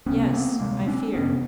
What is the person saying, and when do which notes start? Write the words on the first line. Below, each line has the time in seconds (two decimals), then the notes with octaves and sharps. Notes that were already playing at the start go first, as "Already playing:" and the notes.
"Yes,--I fear."
0.06 C#2 C3 B3 C#4
0.33 A#3 C4
0.60 E1 D2 C3 G#3 A#3
0.86 C4 D4
1.14 F1 E2 C3 B3 C#4